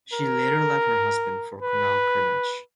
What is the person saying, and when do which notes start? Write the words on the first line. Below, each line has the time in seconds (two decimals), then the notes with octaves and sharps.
She later left her husband for Conall Cernach.
0.13 A#4
1.62 B4